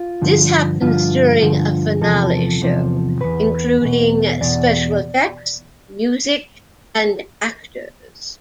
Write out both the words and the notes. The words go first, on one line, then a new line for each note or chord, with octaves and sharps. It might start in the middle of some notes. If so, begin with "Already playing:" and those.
This happens during a finale show, including special effects, music and actors.
Already playing: F4
G2 D3 F3
G2 D3 F3 F4
G2 D3 F3
E2 C3 F3 A4
E2 C3 F3
E2 B2 B4
E2 B2
E2 B2 D5